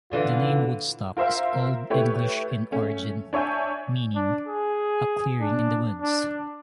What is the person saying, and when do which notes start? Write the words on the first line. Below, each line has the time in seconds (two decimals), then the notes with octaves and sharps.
The name Woodstock is Old English in origin, meaning a "clearing in the woods".
0.11 A#2 D3 E3 F4
1.17 F4 A#4 C5 E5 F5
1.90 A3 E4 G4 B4 C#5
2.72 A3 C#4
3.33 D4 C#5 E5 G#5 G6
4.15 D4
4.47 G#4
5.41 D4
6.02 D4